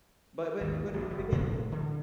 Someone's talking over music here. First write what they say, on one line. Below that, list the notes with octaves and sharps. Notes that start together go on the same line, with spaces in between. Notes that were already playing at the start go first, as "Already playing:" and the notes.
But but but a but again, it's like
G#1 D#2
A#1 G2
F#1
A2 C3 F#3 G#3
D3